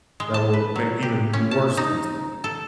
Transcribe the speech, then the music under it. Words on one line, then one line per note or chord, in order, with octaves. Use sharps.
that will make even worse things happen
G#3
A5
B4
F#3
G4
C#4
A5
D#4
A4